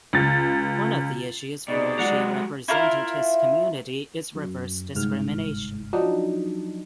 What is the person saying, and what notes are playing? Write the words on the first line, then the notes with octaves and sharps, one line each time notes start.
One of the issues for which he represented his community is reverse discrimination.
C#2 A6
B2 D#4 G#4 D5
F#3 G#3 F#4 F#5 A#5
E4 F4 A#4
F#2
G1 C2 G#2 F6
F3 F#3 D4 D#4